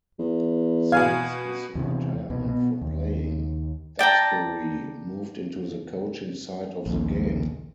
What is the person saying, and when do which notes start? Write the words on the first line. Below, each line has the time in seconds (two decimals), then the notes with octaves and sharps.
Since his retirement from playing, Duxbury moved into the coaching side of the game.
0.19 E2
0.92 B2 F5 G#5 G#6
1.75 E2 C3 E3
2.30 C2 B2
2.46 B2 B3
2.81 D#2
3.99 D5 G5 A5 A#5
6.86 A#1 D#2